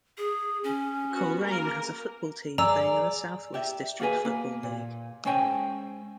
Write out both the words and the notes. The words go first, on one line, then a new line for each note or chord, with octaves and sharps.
Coleraine has a football team playing in the South West District Football League.
G#4
C#4
B3 F#4
A#3 A#4
G#4 D5 A#5 E6
G4 E5
A#3 F#4 G#4 B4 G#5
A#3
A#2
G#3 C#4 C5 G5 G#5